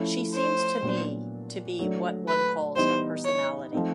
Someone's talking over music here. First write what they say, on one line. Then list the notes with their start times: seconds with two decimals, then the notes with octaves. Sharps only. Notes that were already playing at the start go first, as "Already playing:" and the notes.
She seems to me to be what one calls a personality.
Already playing: F3 A3 C#4 E4
0.34 C5
0.82 A#2 F#3 B3 D4
1.79 F#3 A3 D4
2.28 B4
2.76 E3 G3 B3 D#4 C5
3.25 C#5
3.73 F3 A3 C4 D#4